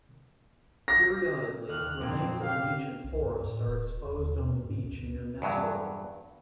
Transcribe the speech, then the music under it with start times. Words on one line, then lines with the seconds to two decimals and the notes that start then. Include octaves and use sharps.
Periodically, remains of an ancient forest are exposed on the beach near Neskowin.
0.88 A#6
1.69 D#2 F6 F#6
2.00 F2 A#2 C4
2.42 G4 F5
3.04 C2
3.22 F#2
3.46 A2
3.67 D#1
4.06 D#2
4.38 B2
4.64 G#2
4.83 D2
5.42 E2 G2 F#3